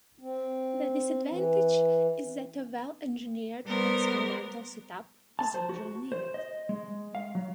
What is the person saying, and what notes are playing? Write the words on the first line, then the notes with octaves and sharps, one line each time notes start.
The disadvantage is that a well-engineered experimental setup is usually needed.
C4
E3
G3 B3 A#4 C5
A5
C5
F#4
C5
D#5
G#3
F5
F#3